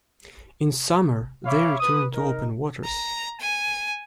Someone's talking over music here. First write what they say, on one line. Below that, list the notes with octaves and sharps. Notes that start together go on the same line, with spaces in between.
In summer, they return to open waters.
C#5 E5 F5 B5 D6
B4 D#6
D#4 A#4
A#5
G#5